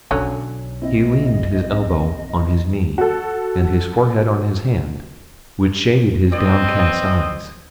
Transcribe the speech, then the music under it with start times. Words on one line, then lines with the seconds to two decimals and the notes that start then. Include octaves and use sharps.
He leaned his elbow on his knee, and his forehead on his hand, which shaded his downcast eyes.
0.11 B1 D3 F#3 C#4
0.82 C4 E4 D#5
2.98 F#4 A4
6.32 B3 C4 D5 D#5